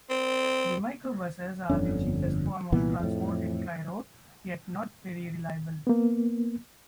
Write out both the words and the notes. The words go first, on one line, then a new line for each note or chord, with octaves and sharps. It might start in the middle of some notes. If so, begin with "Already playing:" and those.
The Micro-buses are the cheapest form of transport in Cairo, yet not very reliable.
C4
G1 F2 D3 C#4
C2 A#2 E3 B3
F2 A2
A#3 B3